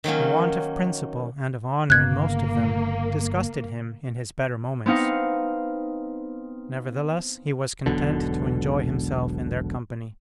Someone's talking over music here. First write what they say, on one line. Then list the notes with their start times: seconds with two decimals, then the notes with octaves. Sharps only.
The want of principle and of honour in most of them disgusted him in his better moments; nevertheless he was content to enjoy himself in their company.
0.04 D#3 F#3 A#3 C#4
1.90 G1 C#3 A#3 B3 F#6 G#6
4.86 B3 C4 D#4 F5 C#7
7.86 E1 B1 B2 D3